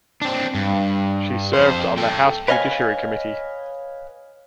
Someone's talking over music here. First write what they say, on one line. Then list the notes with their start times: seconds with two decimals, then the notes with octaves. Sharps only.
She served on the House Judiciary Committee.
0.22 C4 D4
0.55 G2
1.53 F2 C5
1.97 A4 G5
2.48 B4 C#5 D#5 F5 G#5